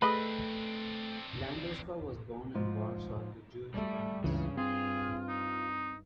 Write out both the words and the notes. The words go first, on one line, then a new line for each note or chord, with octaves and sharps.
Landowska was born in Warsaw to Jewish parents.
A3 C4 D4 G#4 B4 D#5 B5
G#2 F3 F4
G3 A3
C#2 G2 C#3 E3
C4 F4 G#4
D#4